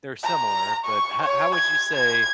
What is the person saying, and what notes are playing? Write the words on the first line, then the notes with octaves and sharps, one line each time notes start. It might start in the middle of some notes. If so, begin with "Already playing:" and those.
They're similar, but ho how would you say
A#5
C#6
C#5
G#6
G#6